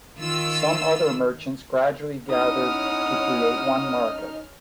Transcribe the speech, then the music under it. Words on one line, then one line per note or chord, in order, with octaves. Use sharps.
Some other merchants gradually gathered to create one market.
D#3 F4 E6
C#4 D#4 E4 F#5 D#6 F6